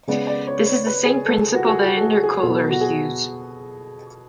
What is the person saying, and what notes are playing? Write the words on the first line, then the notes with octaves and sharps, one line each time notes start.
This is the same principle that intercoolers use.
C#3 G#3 B3 D5
D5
C#5
C#5
B4
G#4
A4
G#4
F#4
F#4
G#4
F#4
A4
G#4
G#4
B2 F#3 B3 A4
F#4
G#4